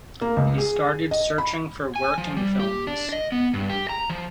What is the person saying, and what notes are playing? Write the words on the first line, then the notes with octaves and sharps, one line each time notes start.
He started searchimg for work in films.
A#3
C#2
G#4
D#5
B5
G#5
F3
G3
G4
D4
D#5
B3
G2
G4
A#5
F3